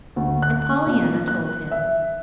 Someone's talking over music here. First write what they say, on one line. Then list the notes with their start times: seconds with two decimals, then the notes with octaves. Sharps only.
And Pollyanna told him.
0.16 D2
0.42 F#6
0.86 A#2
1.28 F#6
1.71 E5